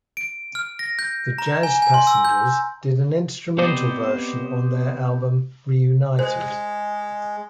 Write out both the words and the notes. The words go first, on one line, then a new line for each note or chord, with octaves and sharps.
The Jazz Passengers did an instrumental version on their album "Reunited".
D7
F6
A#6
G6
A#5
G#5
G#5
C6
E6
G6
B3 C4 G4 C5 D5 D#5
G#3 C5